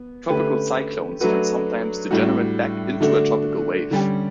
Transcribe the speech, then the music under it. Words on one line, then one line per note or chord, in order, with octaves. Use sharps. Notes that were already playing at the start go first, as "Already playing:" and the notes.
Tropical cyclones can sometimes degenerate back into a tropical wave.
Already playing: B3
D3 A3 C#4 G4 B4
F#3 A3 D4 F#4 B4
A2 G3 D4 F#4
D3 A3 D4 F#4
D3 G3 C#4 G4